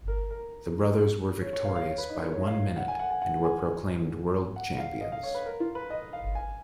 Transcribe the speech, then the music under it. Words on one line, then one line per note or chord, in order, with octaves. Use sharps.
The brothers were victorious by one minute, and were proclaimed world champions.
A#4
A#4
C#5
C#5
F5
F5
C#5
B4
D#4
A#4
C#5
F5
F#5
G#5
F#5
G#5
F#5
G#5
F#5
F5
D#5
F5
C#5
B4
A#4
F4
B4
D#5
F5
G#5